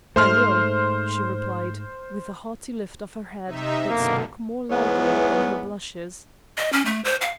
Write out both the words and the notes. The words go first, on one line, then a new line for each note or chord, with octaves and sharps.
"I will," she replied, with a haughty lift of her head that spoke more loudly than her blushes.
G#2 A3 C5 C6 F6
C3 D#4 E5
F#2 B2 D3 A#3
E2 G#2 E3 B3 C#5
D#5
C#4
A3
C5
F5